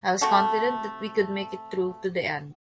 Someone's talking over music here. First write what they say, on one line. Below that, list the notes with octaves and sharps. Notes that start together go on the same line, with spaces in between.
I was confident that we could make it through to the end.
C3 A3 F#4 A4